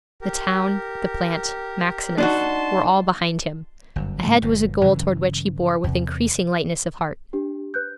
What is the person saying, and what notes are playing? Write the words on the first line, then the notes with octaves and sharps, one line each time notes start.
The town, the plant, Maxineff, were all behind him. Ahead was a goal toward which he bore with increasing lightness of heart.
G4 A#4
D4 D#4 F#4 A5 C6
G1 F#2
G#2 C#3 A3
G1 A#2
G2 C#3 E3 F#3
E2 C3
D4 G4
B4 F#6 G6